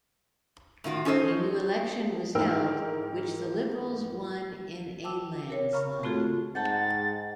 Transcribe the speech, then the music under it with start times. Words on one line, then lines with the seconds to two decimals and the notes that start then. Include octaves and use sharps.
A new election was held, which the Liberals won in a landslide.
0.84 A2 D#3 F4 F#4
1.05 C#4 D#4 A4 C5 D#5
2.35 G#2 E3 A#4 G5 E6
5.04 G5 A5 D6 E6
5.50 A#4 C#5
5.73 C#3 F5 A#5 B5 C#6 F6
6.03 A3 C4 F4 F#4 G#4 A4
6.55 G#2 F#5 G5 A5 A6